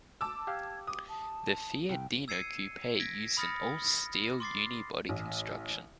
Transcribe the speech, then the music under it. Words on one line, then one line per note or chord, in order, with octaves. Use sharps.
The Fiat Dino coupe used an all-steel unibody construction.
A5 D6 E6
G4 F5 G#6
D6 D#6
A5
C2 G5
E6 G#6 C7 C#7 D#7
G#6 A#6 B6 D7
B5 D#6 F6 A6 A#6 C#7
C6 D6 A6 C7
A1